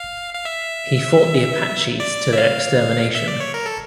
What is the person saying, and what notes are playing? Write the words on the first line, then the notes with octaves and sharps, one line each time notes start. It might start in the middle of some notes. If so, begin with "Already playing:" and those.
He fought the Apaches to their extermination.
Already playing: F5
F5
E5
D5
E5
F5
E5
D5
C#5
A#4
A4